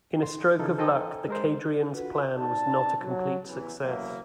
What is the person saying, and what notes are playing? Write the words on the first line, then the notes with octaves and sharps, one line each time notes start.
In a stroke of luck, the Kadrians' plan was not a complete success.
C6
C#3 E3 F3 D#4 A4
A4 C5 D#5 G5 G#5 A#5
G#3 A#4 C5
F4 F#4 B4
D#4 D5 A5
F#3
E2 E3
F#1 E2 F#3 A#3 E4